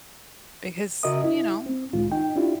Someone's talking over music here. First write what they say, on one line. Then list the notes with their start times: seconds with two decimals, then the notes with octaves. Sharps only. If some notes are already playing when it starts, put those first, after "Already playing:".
Because, you know,
1.03 C#3 F#4 A#4 D#5 E5 D#6
1.24 E4
1.66 C4
1.93 C2 A2 D#3 G#3 F4
2.12 D#4 G5
2.36 D4 E4 F4 G4